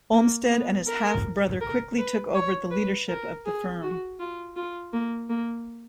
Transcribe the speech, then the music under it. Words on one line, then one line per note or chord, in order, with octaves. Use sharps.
Olmsted and his half brother quickly took over leadership of the firm.
A#3
B3
A#4
A#4
B4
C#5
B4
A#4
G#4
F#4
F4
F4
A#3
A#3